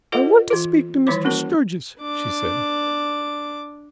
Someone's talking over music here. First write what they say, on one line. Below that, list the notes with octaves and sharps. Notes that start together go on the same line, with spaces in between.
"I want to speak to Mr. Sturgis," she said.
F4 A4 C5 D#5 F#5
E3 F4
D#3 E3 G3 E4 C#5 D6
A#3 C#4 F#4 A#4
D4 D6